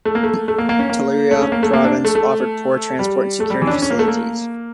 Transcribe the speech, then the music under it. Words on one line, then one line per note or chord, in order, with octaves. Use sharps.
Toliara province offered poor transport and security facilities.
A3
A#3
A3
A3
A#3
A#3
C#4
A#3
A3
C#4
A#3
A3
A#3
D4
A3
A3
G3
A3
G3
E3
D4
C#4
C#4
A#3
A3
A#3